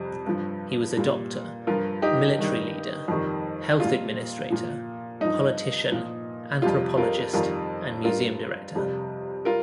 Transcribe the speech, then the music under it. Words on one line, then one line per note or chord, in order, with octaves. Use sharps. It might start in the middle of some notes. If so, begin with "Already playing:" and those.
He was a doctor, military leader, health administrator, politician, anthropologist and museum director.
Already playing: F2 C3 G3
G2 F3
A#2 G3
G2 F3 F4 A#4
D#4 G4
G2 D#3 G3
F2 D#3 G3
A#2 G3 F4
A#2 F3
G2 F3 D#4
A#2 F3
F2 C3 G3 F4
F4 A#4
F2 D#3 G3 F4 A#4
G2 G3 F4 A#4
F2 C3 G3
G3 F4 A#4